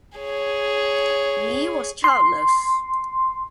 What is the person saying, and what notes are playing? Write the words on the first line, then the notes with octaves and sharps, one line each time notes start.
Li was childless.
G#4 C#5
C6